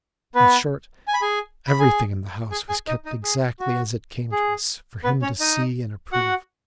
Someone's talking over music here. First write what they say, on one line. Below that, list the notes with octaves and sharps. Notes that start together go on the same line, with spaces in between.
In short, everything in the house was kept exactly as it came to us, for him to see and approve.
B3 B4
G#5
B5
G#4 G#5
B5
G#4 G#5
G#4 G#5
G#4 G#5
D#4 D#5
D#4 D#5
G#4
F#4
G#4
B3 B4
C#4 C#5
D#4 D#5
F#4 F#5